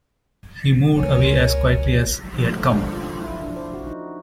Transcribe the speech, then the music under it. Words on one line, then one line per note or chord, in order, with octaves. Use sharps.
He moved away as quietly as he had come.
C#2 A3 A#4 C#5 G#5
F3
A3
D4
F4
E4
D4
C5
F#4
D#4